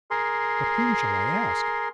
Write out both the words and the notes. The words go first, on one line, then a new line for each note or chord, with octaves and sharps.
But whom shall I ask?
G#4 A#4 C6